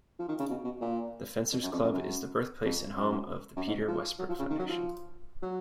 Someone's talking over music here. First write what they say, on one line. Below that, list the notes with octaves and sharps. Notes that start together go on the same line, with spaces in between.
The Fencers Club is the birthplace and home of the Peter Westbrook Foundation.
F3
D#3
C#3
B2
B2
A#2
F2
F#2
F2
F#2
F#2
F2
F#2
F#2
G#2
F3
F#3
F3
C#3
D#3
F#3
F3
F#3